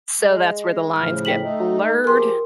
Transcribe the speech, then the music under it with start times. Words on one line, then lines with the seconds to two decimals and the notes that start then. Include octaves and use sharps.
so that's where the lines get blurred.
0.21 G#3
0.96 A2 C#3 F3 F6
1.25 G5 B6 F#7
1.40 A3 D#4
2.04 F3 G4 G#4 A#4 C6